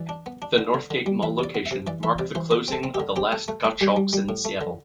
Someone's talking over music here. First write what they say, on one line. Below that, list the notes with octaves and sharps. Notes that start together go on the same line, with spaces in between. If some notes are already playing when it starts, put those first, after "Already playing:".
The Northgate Mall location marked the closing of the last Gottschalks in Seattle.
Already playing: E3 D5
D4
B3
D4
D3
D3
D3
G3
E3 E5
C3 D5
B3
E5
C3
E3 D5
E3 E5
C3 D5
E3 C5
D3 B4
C4 A4
C4
G4
D3
C4 G4
A3
A3
A3
G3 G4
G3
G3
A2
A3
D3